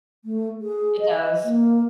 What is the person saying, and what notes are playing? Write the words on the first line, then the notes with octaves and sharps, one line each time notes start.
It does.
A3
G#4
D#5
A#3